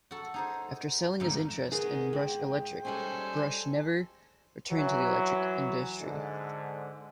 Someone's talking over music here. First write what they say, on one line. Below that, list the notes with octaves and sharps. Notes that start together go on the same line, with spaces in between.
After selling his interests in Brush Electric, Brush never returned to the electric industry.
F#4 A4
D#4 G#4 C5
F2 G#2 D3 G#3 A3 D#4
D#3 B3 D#4 G#4
G#2 G5
G3 G#3 C#4 A4 C5 G#5
E3 F#3
G#2 D3